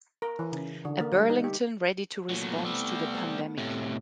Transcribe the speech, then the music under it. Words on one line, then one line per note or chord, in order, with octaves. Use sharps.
A Burlington ready to respond to the pandemic.
A#4
E3
C#3
D3
A#3
G3
D#4
G4
A#2 F#3 A3 B3
G3 C4
A2 C3